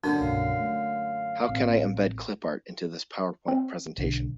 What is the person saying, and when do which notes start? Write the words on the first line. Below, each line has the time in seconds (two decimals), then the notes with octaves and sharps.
How can I embed clip art into this powerpoint presentation?
0.04 F#2 D3 A#3 D4
0.21 C2 G2 B2 F5
0.60 A3
1.49 A1 C4
3.48 C4
3.98 B1 D3